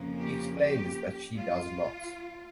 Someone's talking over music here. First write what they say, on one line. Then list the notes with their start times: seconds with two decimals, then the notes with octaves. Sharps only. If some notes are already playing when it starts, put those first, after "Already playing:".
He explains that she does not.
Already playing: F2 C#3 F3 A#3 C#4
0.18 G4
0.57 G4
1.37 F4